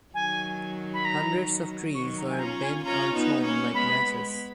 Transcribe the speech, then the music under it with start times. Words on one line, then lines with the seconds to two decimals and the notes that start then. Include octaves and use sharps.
Hundreds of trees were bent or thrown like matches.
0.14 D#3 F#3 G#5
0.94 B5
1.05 A#5
1.94 D#3 F#3 C#6
2.17 A#5
2.30 G#5
2.39 C#4 F4 A#5
2.62 G#5
2.85 C#4 F4 A#5
3.15 B3 D#4
3.45 A#3 C#4
3.74 G#3 B3 B5
4.04 G#3 B3